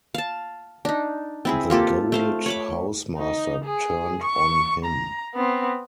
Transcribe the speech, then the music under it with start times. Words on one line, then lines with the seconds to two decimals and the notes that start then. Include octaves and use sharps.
The goaded housemaster turned on him.
0.14 F5 A5
0.85 D4 D#4
1.45 C4 E4 G#4
1.70 A#3 F4 G4 A4
2.12 A3 C5 F5
2.46 C#5 B5 D6
3.17 D#4
3.65 G#4
4.23 C#6
4.85 A#5
5.35 B3 C4